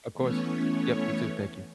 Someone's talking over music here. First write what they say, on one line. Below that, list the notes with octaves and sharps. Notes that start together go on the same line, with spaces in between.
Of course. Yup, you too, thank you.
E3 A3 B3 C#4 C#5